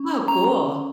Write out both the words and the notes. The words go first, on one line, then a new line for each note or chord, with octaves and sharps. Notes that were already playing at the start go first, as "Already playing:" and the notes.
Oh, cool.
Already playing: C#4
C#4 A#5